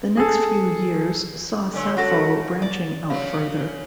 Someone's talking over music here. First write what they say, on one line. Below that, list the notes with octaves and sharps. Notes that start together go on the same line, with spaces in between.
The next few years saw Sapho branching out further.
G#4 A4
A#2 D3 C#5
C#3 F#4 A4 F#5 A#6
D5
C#3 F#3 F5